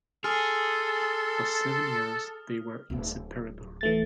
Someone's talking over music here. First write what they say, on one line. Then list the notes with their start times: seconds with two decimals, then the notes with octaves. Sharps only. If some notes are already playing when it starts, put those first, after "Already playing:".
For seven years they were inseparable.
0.24 G#4 A4 C6 D#6 F6
2.90 D1
3.81 E3 A3 A6